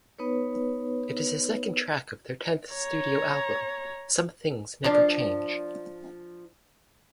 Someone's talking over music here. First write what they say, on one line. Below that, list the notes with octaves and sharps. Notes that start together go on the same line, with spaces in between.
It is the second track on their tenth studio album "Some Things Never Change".
B3 D#4 B4 C#5
C#5 A#5
F3 D4